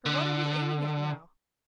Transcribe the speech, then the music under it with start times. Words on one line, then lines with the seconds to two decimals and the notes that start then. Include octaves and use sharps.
For what are we aiming at now?
0.06 D3